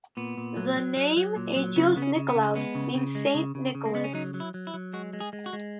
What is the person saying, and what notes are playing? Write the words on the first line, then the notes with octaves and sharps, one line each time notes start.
The name Agios Nikolaos means "Saint Nicholas".
A#2 B3
A#2
F#3
F#3
F#3
F#3
A#2
F#3
C#3 B3
C#3 B3
C#4
C#3
B3
C#3
G#3 B3
C#3
C#3
G#3
C#3
C#3
C#3
A#3
C#3 B3
C#4
F#3 D#4
F#3
E4
F#3
E4
F#3
G#3 F#4
G#3
G#4
G#3
F#4
G#3